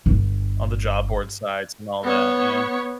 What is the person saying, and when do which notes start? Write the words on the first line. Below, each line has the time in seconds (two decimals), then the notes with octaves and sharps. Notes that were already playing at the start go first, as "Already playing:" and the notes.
On the job board sites and all that, yeah.
0.06 G1
2.03 B3 C#5